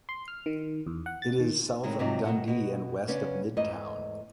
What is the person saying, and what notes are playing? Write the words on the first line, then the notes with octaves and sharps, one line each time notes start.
It is south of Dundee and west of Midtown.
C6
F6
D#3
E2
F#5
A6
D#3
A2 D#3 G#3 C4 D#4
G#2 C3 F3 F#3 D#4
B2 D#3 A3 A#3 A4 F#5
B2 F#4
C#3 B3 C#4 D4
E2 G#2 A3 D#5